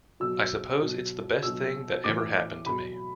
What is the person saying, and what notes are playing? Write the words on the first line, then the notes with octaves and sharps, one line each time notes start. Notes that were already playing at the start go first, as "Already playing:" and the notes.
I suppose it's the best thing that ever happened to me.
B2 F#3 E6
B2 F#3
B2 F#3 E6
A2 E3 D6
B2 F#3 B5